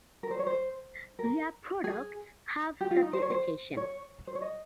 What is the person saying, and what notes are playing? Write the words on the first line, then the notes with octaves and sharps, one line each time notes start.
Their products have certification.
A#4
C5
C#5
C5
A#4
G#4
G4
F4
D#4
C5
C#5
C5
C#5
C5
C#5
D#5